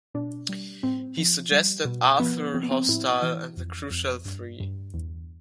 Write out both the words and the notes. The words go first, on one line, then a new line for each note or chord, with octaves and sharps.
He suggested Arthur Hostile and The Crucial Three.
B2 D4
G3
A2 C4
F3
G3
B2
F3 B3
F3 C4
B3
C4
A2 E4
E3
F2
F2
G2
G2
E2